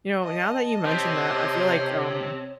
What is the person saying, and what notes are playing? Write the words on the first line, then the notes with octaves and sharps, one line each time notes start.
you know, now that you mentioned that, I feel like, um
D#5 A5
C3 C5 C#5